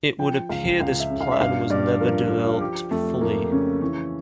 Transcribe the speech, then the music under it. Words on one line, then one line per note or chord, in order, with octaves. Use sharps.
It would appear this plan was never developed fully.
F3 G5
C#2 F5
C#2 F5
E5
C#3
F5
E5
G2 F5
G2 D5
F3 A#4
F3
F3 G4
F2 A3
F2 A#3
C#3 C#4
E3 C#4